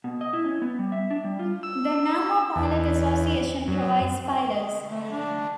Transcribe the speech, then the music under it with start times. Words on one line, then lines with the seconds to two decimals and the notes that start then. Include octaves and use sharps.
The "Naha Pilot Association" provides pilots.
0.04 B2
0.21 D#5
0.33 E4
0.45 C#4
0.62 B3
0.79 G3
0.92 E5
1.11 D4
1.24 G3
1.39 F4
1.63 E6
2.56 E2
3.68 F#2
4.21 C4
4.48 G#3
4.90 A3
5.11 D4